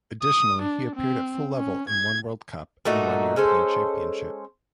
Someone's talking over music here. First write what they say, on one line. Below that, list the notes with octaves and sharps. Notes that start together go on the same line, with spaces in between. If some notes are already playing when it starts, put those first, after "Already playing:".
Additionally, he appeared at full level in one World Cup and one European Championship.
D#6
D4
C4
C#4
G#6
A#2 A3 D#4 F#4
G#3 C#4 A4 C5